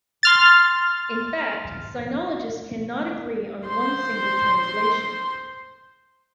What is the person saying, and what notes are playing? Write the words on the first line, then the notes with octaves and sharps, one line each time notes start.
In fact, Sinologists cannot agree on one single translation.
C6 F6 A6
C5 C6